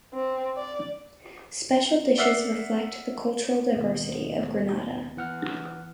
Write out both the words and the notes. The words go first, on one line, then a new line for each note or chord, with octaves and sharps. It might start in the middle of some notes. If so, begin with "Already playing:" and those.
Special dishes reflect the cultural diversity of Grenada.
C4
D5
D5 E5 F#5 E6 F6 C7
D#2 B2
E3 F#5 F6